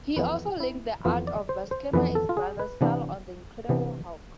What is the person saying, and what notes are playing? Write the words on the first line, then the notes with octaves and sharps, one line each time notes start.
He also inked the art of Buscema's brother Sal on "The Incredible Hulk".
F2 E3 B3 B4
E4
F2 E3 B3 F4
D5
C5
C5
F2 E3 B3 B4
A4
F4
G#4
B4
C3 E3 B3 D4
C3 E3 B3 D4